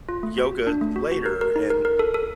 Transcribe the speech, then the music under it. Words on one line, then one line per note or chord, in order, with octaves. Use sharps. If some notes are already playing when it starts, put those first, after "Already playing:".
yoga later and
F4
A3
F#4
F#4
D4
A3
F#4
F#4
A#4
A#4
D#4
A#4
A#4
A4
A4